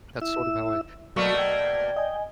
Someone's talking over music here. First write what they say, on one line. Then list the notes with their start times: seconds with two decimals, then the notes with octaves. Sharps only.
That's sort of how I
0.22 E4 E5 E6
1.16 B2 F#3 A3 A#3 F#4 D5 C#6 C#7
1.38 G5 G#6
1.96 D#5 G#5